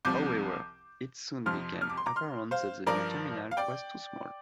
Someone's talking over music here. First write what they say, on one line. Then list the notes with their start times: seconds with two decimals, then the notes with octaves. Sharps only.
However, it soon became apparent that the new terminal was too small.
0.05 C2 C3 F3 D6 G6
1.46 F2 C3 F3 C6 F6
1.81 F6
1.89 D6
1.97 C6
2.06 A#5 D6
2.16 C6 F6
2.51 C5 F5
2.87 G2 F3 A#4 D5
3.51 F5
3.57 D5 G5